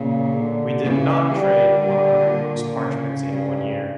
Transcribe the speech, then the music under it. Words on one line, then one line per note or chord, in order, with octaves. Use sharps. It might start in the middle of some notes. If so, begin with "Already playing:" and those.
We did not trade one hundred moose parchments in one year.
Already playing: A#2 C#3
D3
C#3 E3
D3 G3
G3
A#2
C#3
G2